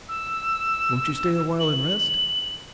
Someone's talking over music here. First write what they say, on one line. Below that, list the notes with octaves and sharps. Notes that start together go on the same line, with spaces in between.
"Won't you stay awhile and rest?"
E6
F#7